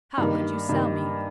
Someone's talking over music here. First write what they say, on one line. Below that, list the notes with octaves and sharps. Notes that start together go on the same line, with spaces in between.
How could you sell me?
G2 D#3 A#3
G2 D#3 A#3